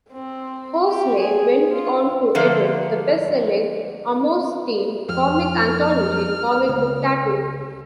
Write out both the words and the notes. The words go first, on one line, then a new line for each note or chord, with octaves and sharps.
Hoseley went on to edit the best selling Amos-themed comic anthology "Comic Book Tattoo".
C4
G4
G#4
F4
D3 F3 A3 A#3
F2 F6
C#2